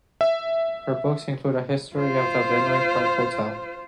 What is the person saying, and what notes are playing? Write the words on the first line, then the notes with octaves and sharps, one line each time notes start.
Her books include a history of the Vinoy Park Hotel.
E5
F4 C5